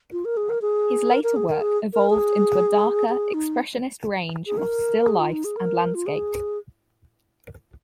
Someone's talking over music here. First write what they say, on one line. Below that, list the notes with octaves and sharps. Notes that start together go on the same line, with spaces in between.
His later work evolved into a darker, Expressionist range of still lifes and landscapes.
F4
A#4
G#4
A#4
G#4
A#4
A#4
G#4
A#4
G#4
A#4
G#4
G#4
D#4
G#4
A#4
G#4
F4
D#4
G#4
A#4
F4
G#4